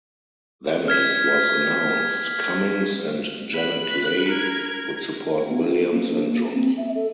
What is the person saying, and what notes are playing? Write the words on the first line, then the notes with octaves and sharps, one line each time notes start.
Then it was announced Cummings and Janet Leigh would support Williams and Johnson.
F6 G#6 B6
B5 F#6
A#4 G#6
B3
C#4
A4
A#3
D4
A#3
C4
E5
A4